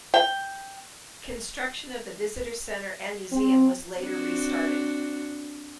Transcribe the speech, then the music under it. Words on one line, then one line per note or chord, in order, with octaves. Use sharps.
Construction of the visitor center and museum was later restarted.
G5
C4
C4 D4 F#4